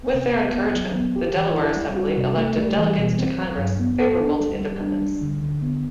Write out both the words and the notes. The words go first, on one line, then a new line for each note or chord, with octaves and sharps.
With their encouragement, the Delaware Assembly elected delegates to Congress favorable to independence.
C3
B3
B3
F#3
B3
G4
E3
E4
G3
F#4
C3
A3
G3
E3
B2
C4
F#3
G2
B3
A4
D4
G3
G3
D4
G3
D3
D3
B3